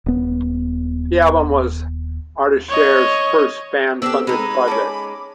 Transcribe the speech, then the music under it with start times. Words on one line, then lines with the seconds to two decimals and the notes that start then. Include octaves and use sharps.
The album was ArtistShare's first fan-funded project.
0.06 D#1 B3
2.69 C#5 D#5
4.02 B3 C4 D4 F#4 G4 A4 E6
4.27 G#3 D#4 B5
4.68 C#4 A4 A5 D6